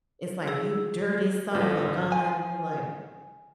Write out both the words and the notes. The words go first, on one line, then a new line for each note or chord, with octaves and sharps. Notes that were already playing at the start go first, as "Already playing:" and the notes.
it's like, "You dirty son of a gun," and you're like,
G#4 E6
G#1 F4 A4 B4
G#5